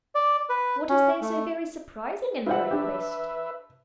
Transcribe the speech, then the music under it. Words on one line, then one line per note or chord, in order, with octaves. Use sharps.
"What is there so very surprising in my request?"
D5
B4
C#4
A3
F4 B4 C5 E5 F#5
D4 G4